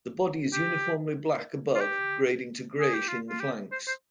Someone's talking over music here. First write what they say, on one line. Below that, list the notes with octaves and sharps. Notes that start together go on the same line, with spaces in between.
The body is uniformly black above, grading to grayish in the flanks.
G4
F4
G4
G#4
G4
F4
F4
G4
C5
C5